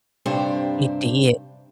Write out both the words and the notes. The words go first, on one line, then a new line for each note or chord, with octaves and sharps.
It did.
G2 C3 D4 G4 C5